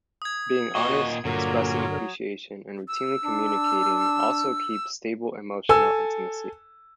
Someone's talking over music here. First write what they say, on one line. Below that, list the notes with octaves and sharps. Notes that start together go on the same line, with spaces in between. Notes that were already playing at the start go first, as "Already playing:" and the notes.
Being honest, expressing appreciation, and routinely communicating also keeps stable emotional intimacy.
D#6 G#6
A#2 F#4 D#5
G2 A#2 D3 F#3 A#4
E6
D4
A4 G#5 E6